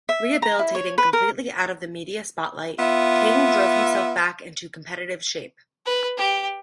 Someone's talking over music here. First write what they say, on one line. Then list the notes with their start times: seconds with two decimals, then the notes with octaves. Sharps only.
Rehabilitating completely out of the media spotlight, King drove himself back into competitive shape.
0.09 E5
0.42 A#5
0.59 E4
0.75 C#5
0.98 B4
1.13 A#4
2.79 B3 F4 E5
5.86 B4
6.17 G4